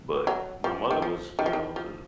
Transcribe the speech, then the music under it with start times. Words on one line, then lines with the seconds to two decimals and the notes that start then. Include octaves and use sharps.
but my mother was, you know, the
0.27 F#3
0.64 F3
0.91 D#3
1.02 F3
1.39 D#3
1.46 F3
1.53 D#3
1.76 F3